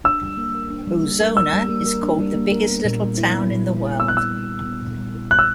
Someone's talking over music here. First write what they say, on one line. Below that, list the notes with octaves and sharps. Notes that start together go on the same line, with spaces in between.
Ozona is called the "Biggest Little Town in the World".
D4 E6
G3
A#3
A#4
D4
G3
A#3
A#4
D4 E6
G3
A#3
A#4
D4
G3
A#3
A#4
B3
A#2
G3
E4
B3
A#2
G3
E4
B3 E6
F#6
A#2 E6
G3
E4
B3
A#2
G3
E4
B3 F#6
E6